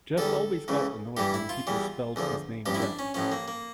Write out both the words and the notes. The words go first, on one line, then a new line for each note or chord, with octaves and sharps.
Geoff always got annoyed when people spelt his name Jeff.
E2 D3 G3 A4
C#2 C#3 E3
G2 E3 G3 G4
E4
F4
E2 E3 G3
E2 D3 F3
A1 G2 F3 G4
E4
D4
C#4
A1 A2 F3 C#4
A#3
A#3